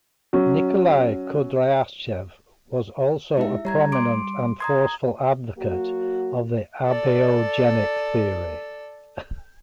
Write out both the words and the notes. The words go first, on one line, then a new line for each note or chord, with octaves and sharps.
Nikolai Kudryavtsev was also a prominent and forceful advocate of the abiogenic theory.
F#3 C#4
G#3 D#4 E4 G4 E5
G3 C#5 A#5 G#6
C6 D6 D7
A#5 C6 D#6 G#6
F#3 A#3 F#4
A4 D5